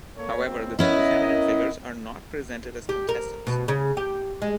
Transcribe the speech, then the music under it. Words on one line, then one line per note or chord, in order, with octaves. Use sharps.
However, the two feminine figures are not presented as contestants.
A#3 A4 C#5
C#2 A#3 C4
B3 C#4 E4 A#4 D#5
G4
A#4
B2
C#3
G4
G#3